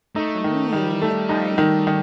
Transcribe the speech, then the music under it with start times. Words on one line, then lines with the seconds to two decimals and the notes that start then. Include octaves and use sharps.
for me, I
0.15 A3 D#4
0.44 D#3
0.73 D#3 G3
1.02 A3
1.29 D#4
1.58 D#3
1.87 D#3